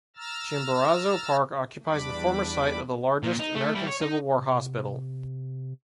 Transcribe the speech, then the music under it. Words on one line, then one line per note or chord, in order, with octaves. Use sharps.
Chimborazo Park occupies the former site of the largest American Civil War Hospital.
A#5 E6 F6 A6
E2 G3 D4 B5 D6
A#2
D#4
A3
G3 E4
C#5
D#4
C3